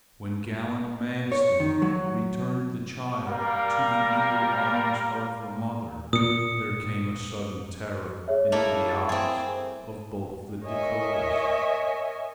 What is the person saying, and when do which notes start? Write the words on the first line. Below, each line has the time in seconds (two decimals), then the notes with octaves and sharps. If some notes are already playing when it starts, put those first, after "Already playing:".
When gallant Manstin returned the child to the eager arms of the mother there came a sudden terror into the eyes of both the Dakotas.
1.32 C#5
1.60 D#3
1.82 F#3
3.27 G3 A#3 A#4 F5
6.13 A#2 D#6 C#7
8.28 G#4 C#5 E5
8.52 A3 A#3 E4
8.89 A6
9.09 C4 G#4
10.64 A#4 C#5 D#5 E5 G#5